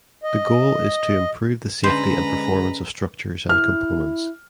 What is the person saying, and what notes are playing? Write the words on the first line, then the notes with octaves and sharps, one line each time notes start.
The goal is to improve the safety and performance of structures and components.
D#5
D3 G#3 C#4 B4 C5 A#5
E4 F6